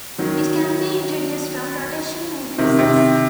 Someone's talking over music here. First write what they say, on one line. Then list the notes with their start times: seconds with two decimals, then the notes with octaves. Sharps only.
It can be introduced from rotation matrices.
0.18 D#3 F#3
2.58 C3 D#3
2.78 C3 D#3